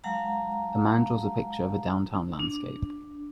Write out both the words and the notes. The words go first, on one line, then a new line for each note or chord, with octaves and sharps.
A man draws a picture of a downtown landscape.
F#3 G#3 F5 F#5 A5 A#5
D4